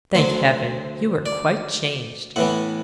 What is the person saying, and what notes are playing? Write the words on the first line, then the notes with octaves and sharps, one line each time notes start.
'Thank heaven, you are quite changed.'
D2 D3 F#3 C5
D5
A2 E3 B3 F#5